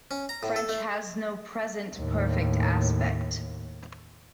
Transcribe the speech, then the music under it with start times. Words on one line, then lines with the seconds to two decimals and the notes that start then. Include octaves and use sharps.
French has no present perfect aspect.
0.11 C#4
0.29 A#5
0.43 A2
0.56 A4
0.69 A3
1.96 D#2 A2